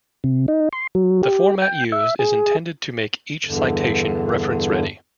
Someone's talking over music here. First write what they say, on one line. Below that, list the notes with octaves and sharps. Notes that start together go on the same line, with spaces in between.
The format used is intended to make each citation reference-ready.
C3
D#4
C6
F#3
G4
G5
E5
G#4
E2 G2 D3